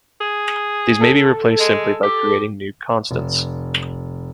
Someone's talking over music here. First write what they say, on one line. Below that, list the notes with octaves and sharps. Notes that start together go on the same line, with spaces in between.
These may be replaced simply by creating new constants.
G#4
A4
G#3
G4
F1